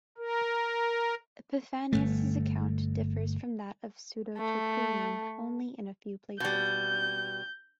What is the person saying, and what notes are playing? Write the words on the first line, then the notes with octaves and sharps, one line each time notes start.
Epiphanius' account differs from that of Pseudo-Tertullian only in a few places.
A#4
G1 C#2 A3
A3
B2 G3 G6